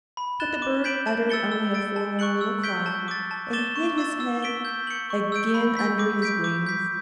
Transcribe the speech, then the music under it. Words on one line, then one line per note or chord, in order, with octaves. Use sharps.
But the bird uttered only a forlorn little cry, and hid his head again under his wings.
B5
F#6 A6 E7 G7
D6
G6 B6 D7 F#7
A5
E6 A6 C#7 G7
E6
A6 D7
A5
C#6 F#6 C#7 F#7
E6
G6 B6 D7 G7
A5
D6 A6
A5
D6 A6 E7 G7
C#6
E6 A6
E6
B6 D7 G7
G6
C#7 F#7
C#6
E6 G6 D7
B5
E6 G6 B6
D6
G6 B6 D7
D6
G6 B6